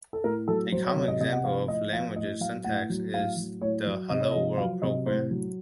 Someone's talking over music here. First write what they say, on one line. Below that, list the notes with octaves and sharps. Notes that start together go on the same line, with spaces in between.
A common example of a language's syntax is the Hello world program.
A4
A2 A#4
F#3 A4
F#3 C5
C#5
C3 C#5
D#5
C3 D#5
F#5
F3 F5
A2 D#5
F3 F5
A2 D#5
F#3 F5
A2 F#5
F#3
A2 F5
F#3
A2 C#5
F#3
C3 D#5
C#5
F3 D#5
F#3 F5
C3 D#5
A2 C5
F#3